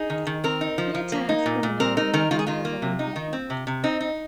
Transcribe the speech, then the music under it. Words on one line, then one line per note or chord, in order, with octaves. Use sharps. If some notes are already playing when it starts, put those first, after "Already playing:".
He attacks criminals and other malevolent people.
Already playing: D#4 G#4
D#3
D#3
C4 A#4
D#4
F3
F3
A#3
D#4
A#2
A#2
C4 A#4
D#4 A#4
D#3 A#4
D#3 F4
G#4
D#3 F4
A#3
C3
D#4
D#3
C4
C3
C3
C4 D#4
D#4